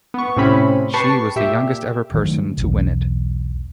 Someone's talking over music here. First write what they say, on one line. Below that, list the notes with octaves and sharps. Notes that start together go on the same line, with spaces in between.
She was the youngest ever person to win it.
B3 C#6
A2 C3 C4 C#4 B5
G4 B4 A5 C#6 C7
A#2 G4 E5
D3 D#3 F#3 A3
B1 E2